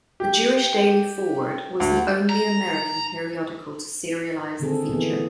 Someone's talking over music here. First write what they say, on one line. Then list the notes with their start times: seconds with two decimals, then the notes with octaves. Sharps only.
"The Jewish Daily Forward" was the only American periodical to serialize the feature.
0.20 G4
1.80 D2
2.29 A#5
4.60 A#2 D3 D#3 C4 G#4 A4
4.89 A#2 E3 B3 E4 G#4